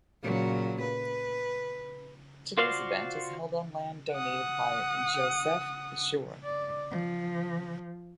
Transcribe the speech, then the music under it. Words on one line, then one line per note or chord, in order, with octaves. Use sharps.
Today's event is held on land donated by Josef Pschorr.
A#2 C#3 F#3
B4
F4 F#4 C5 D5 F5
F#5 D#6
D5
F3